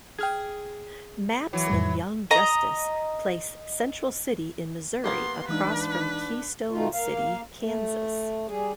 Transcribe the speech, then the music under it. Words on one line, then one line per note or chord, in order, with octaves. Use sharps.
Maps in Young Justice place Central City in Missouri across from Keystone City, Kansas.
G#4 G5 F6 G#6
E3 F#3
F2 A2 G3
D#5 A#5
A#3 B3 G4 C6
E3 G#3 D4 D#4 B4
B2 D#3 A3 F4
A#3 F5
A3
G3 G#4